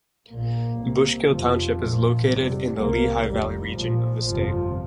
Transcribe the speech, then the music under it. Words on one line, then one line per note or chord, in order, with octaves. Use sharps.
Bushkill Township is located in the Lehigh Valley region of the state.
A#1 A#2 A#3
C2 C3
F1 F2 C3 F3
A#1 A#2
F1 F2 C3 G3
C2 C3 A#3
F1 D#2 G3
A#1 A#2 F3
G1 F2 C3 F3